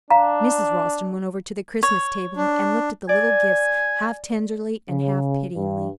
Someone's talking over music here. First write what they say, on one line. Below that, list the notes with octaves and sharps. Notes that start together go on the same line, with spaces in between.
Mrs. Ralston went over to the Christmas table and looked at the little gifts half tenderly and half pityingly.
D4 F5 A#5
C#5
D4
D5 G#5
C#3
G2